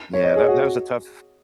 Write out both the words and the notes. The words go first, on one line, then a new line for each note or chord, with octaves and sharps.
Yeah, that that was a tough
C#5
D#5
G#4
F#4